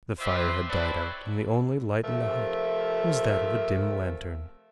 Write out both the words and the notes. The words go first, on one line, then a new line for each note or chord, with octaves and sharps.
The fire had died out, and the only light in the hut was that of a dim lantern.
C4 F4 B4 C5 D5 E5
C4 E4 A4 B4 C#5 D5
C3 F3 A3 A#4 E5